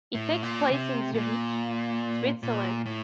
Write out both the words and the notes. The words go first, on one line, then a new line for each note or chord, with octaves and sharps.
It takes place in Zurich, Switzerland.
A2
A#2
C3
A#2
A#2
A2